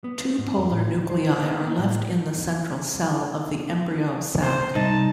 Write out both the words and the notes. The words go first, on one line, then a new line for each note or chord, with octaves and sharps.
Two polar nuclei are left in the central cell of the embryo sac.
B3
G#2
F2
A2
D2
C5
B3
A#3
A2
C5
C2 D#4 A5